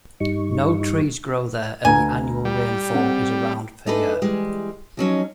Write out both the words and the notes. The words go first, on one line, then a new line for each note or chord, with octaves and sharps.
No trees grow there and the annual rainfall is around per year.
G2 G3 D#4 C#6
D2 B4 G#5 A#5
G3
C4 F#5
A3 D4 D#4 G#4 A4 B4
E3 G3 G#3
F3 F#3 C#4 D#4